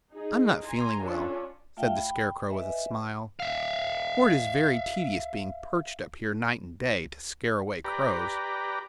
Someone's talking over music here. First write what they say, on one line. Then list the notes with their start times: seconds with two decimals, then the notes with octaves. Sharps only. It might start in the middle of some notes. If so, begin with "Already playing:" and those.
"I'm not feeling well," said the Scarecrow, with a smile, "for it is very tedious being perched up here night and day to scare away crows."
0.12 D#4 G#4
0.66 G#5 A#5 C6
1.04 C#4 D4 F4 A4
1.77 A3 F4 E5 F5 G5
1.96 G5 B5
2.50 B4 D#5 E5 G#5
3.40 E5 F5
7.85 G4 B4 D5 A#5